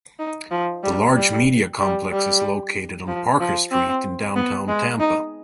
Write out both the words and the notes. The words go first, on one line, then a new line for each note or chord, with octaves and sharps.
The large media complex is located on Parker Street in Downtown Tampa.
D#4
F3
G3
G3
G3
G3
F3
F3
C4
B3
G#3
D#4